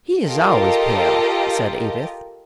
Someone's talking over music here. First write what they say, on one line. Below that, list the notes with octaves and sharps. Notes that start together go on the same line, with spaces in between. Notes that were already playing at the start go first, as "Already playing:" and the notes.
"He is always pale," said Edith.
F4 G4 A4 A#4 D#5